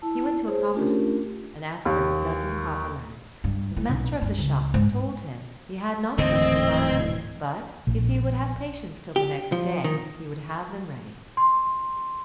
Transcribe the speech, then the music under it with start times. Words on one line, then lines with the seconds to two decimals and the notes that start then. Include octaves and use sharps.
He went to a coppersmith, and asked for a dozen copper lamps: the master of the shop told him he had not so many by him, but if he would have patience till the next day, he would have them ready.
0.02 E4 A5
0.48 G#4 C5 C#5
0.74 A3 C#4 D4 F4 G4 A#4
1.85 D#2
3.44 G2
3.77 E3
3.90 B1
4.22 G2
4.39 C#2
4.74 G#2
6.18 D1 G#2 D3 E3 C4 D#5 G#6 C7
7.87 A#1
9.16 G4
9.52 F3
9.84 D#3
11.37 C6